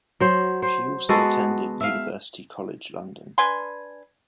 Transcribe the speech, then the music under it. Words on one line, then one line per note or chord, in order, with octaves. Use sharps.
She also attended University College London.
F#3 C5
C5
G#3 B3 F#4 A4
E5 F5
D4 B4 G#5 C6